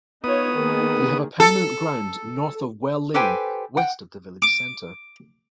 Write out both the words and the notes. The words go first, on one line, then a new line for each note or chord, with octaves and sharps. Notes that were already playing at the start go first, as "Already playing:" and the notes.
They have a permanent ground north of Well Lane, west of the village centre.
B3 D#4 F4 C#5 D#6
D#3 A#3 G#4
A4
G4 A4 B4 C5 G5 G#5
F#5 G5
D6